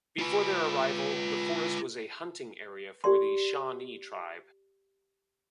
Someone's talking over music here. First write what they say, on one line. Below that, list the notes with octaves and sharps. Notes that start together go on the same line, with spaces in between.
Before their arrival, the forest was a hunting area for the Shawnee tribe.
F4 B4
G4 D5 C6